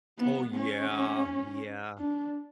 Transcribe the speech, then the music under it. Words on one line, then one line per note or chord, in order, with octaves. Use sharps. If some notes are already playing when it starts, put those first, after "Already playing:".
Oh, yeah, yeah.
B3
C#4
D4